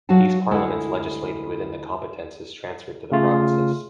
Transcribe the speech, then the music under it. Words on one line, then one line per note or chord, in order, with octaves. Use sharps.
These parliaments legislated within the competences transferred to the provinces.
F#3 F#4 F5 F#5 A5
D2 G#3 E4 A4 F#5
C#3 A3 F4